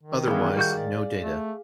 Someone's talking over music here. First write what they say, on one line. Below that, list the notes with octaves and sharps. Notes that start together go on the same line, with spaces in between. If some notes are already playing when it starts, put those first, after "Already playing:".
Otherwise, no data.
D#3
E3 B3 C#4 G#4 F5
G3 F#4 G6
D5
A3